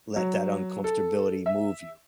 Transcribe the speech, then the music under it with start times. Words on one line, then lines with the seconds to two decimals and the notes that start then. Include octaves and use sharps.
let that un-comfortability move you.
0.16 F#3
0.84 A4
1.46 E5